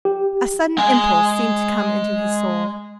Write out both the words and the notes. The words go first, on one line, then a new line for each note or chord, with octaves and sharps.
A sudden impulse seemed to come into his soul.
G4
G#3 G#5